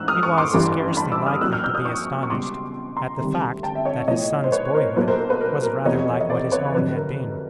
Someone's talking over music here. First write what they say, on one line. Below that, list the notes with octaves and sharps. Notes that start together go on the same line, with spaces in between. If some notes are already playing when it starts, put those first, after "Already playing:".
He was scarcely likely to be astonished at the fact that his son's boyhood was rather like what his own had been.
Already playing: A1 G#2 E6 F#6
D#6 F6
C#6 D#6
C6 D6
A1 G2 E3 G3
A5 B5
D6 E6
D#6 F6
A#1 A#2 F#3 E6 F#6
F6 G6
F6 G6
D#6 F6
C#6 D#6
C#6
C#2 B2 G3 C6 D6
A#5 C6
D2 C3 D#3 G3
G5 A5
E5
C#5 D#5
B1 A2 F3 C#5 D#5
C5
B4 C#5
A#4 C5
B1 A#2 F#3 B4
A#4 C5
A#4
B4
A#4
A#4
F1 E2 C3 F3 C#5 D#5
D#5
C5 D5
B4 C#5
F1 F2 D3 F#3 B4
A#4